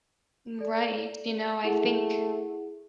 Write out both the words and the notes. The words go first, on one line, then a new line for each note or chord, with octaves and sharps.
Mm, right, you know, I think
A4 D5
A3 E4 G#4 F#5